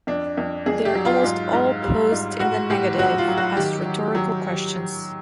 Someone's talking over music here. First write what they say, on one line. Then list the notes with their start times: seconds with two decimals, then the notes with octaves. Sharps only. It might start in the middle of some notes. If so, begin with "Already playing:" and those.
They are almost all posed in the negative, as rhetorical questions.
0.07 F2 D4
0.37 F2
0.66 F2 G#4
0.85 G4
0.95 F#3
1.05 F4
1.24 G#2
1.53 G#2
1.83 G3
2.12 G#2
2.40 A2 F#4
2.70 A2 G4
2.99 F#3 F#4
3.18 F4
3.28 F#3
3.38 F#4
3.57 D#3 G4
3.86 F#3
4.15 F#3